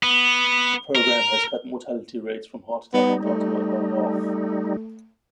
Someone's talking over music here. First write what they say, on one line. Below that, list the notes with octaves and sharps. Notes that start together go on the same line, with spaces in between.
The program has cut mortality rates from heart attack in Ottawa by half.
B3
A#4
G3 B3 D#4
A3